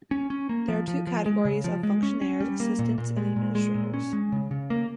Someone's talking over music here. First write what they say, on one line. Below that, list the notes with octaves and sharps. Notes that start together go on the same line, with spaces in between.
There are two categories of fonctionnaires Assistants and Administrators.
C#4
C#4
A#3
F3
F3
F3
G#3
C#3
F3
G#3
C#4
C#4
G3
A#3
A#2
A#2
G#3
A#2
G#3
A#2
C#4
G#3
C#3
C#3
A#3